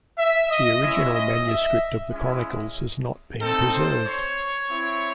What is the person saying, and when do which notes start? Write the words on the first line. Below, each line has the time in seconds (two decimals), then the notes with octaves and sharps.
The original manuscript of the chronicles has not been preserved.
0.18 E5
0.50 D#5
0.82 G#3 C#4 E4 E5
1.14 D#5
1.46 E5
2.11 G#3 C#4 E4
3.40 A3 C4 D#4 A4
3.72 C5
4.05 C#5
4.69 C4 E4